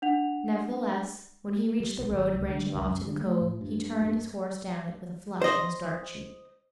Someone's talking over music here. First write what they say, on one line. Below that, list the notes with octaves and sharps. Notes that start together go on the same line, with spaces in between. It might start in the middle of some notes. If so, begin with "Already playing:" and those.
Nevertheless, when he reached the road branching off to the Cove he turned his horse down it with a flush on his dark cheek.
D4 F#5 F7
G3
B1
G#1
C#2
D3
C#2
F#2
D3
A3
A2
G2
G2
C5 D#5